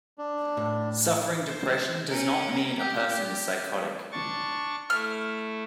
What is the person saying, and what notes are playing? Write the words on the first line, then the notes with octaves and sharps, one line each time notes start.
Suffering depression does not mean a person is psychotic.
D4
A2
C5
C#4 A#4
G4
G4
D4 C#6 A6
A3 E4 F6